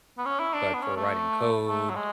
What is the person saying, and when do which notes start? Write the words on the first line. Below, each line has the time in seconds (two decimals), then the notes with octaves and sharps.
but for writing code,
0.18 B3
0.25 C#4
0.40 E4
0.54 D4
0.74 B3
0.82 C#4
0.96 A3
1.67 A3
1.89 F#3
1.96 G#3